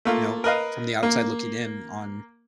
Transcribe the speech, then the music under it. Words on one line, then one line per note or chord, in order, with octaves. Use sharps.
you know, from the outside looking in on
A3 A#3 F4
A#4 B4 D#5 F5
A#3